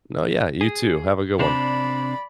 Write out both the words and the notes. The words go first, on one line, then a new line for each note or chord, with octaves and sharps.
No. Yeah. You too. Have a good one.
G#4
C3 C4 D4 D5 B5